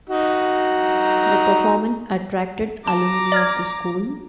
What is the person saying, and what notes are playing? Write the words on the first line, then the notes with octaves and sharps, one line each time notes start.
The performance attracted alumni of the school.
D#4 F#4
A5 A#5 D6
D5 F6 G#6